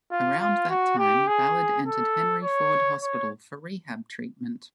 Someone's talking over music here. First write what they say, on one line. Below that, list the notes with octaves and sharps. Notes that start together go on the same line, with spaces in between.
Around that time, Ballard entered Henry Ford Hospital for rehab treatment.
F4
F4
F#4
G4
G#4
A4
C#5
C#5